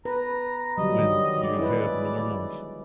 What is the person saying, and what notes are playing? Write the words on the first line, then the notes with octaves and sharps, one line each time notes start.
when you have normal f
B4 A#5
D3 F#3 G3 D#5
D#3
G#3 D5
E4 B4